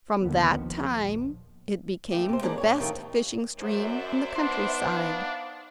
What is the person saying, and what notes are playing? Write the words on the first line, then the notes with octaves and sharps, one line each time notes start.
From that time it became the best fishing stream in the country-side.
A#1 D#2 D3 B3
F3
A#1
D#2 A3 G4
C3 C5
G#3 A#3 D4 D5 F#5
A2 C#5
C3 D#3 F3 A3
F#2 C5 D5 E5
B3 D4 D#4 C6
F5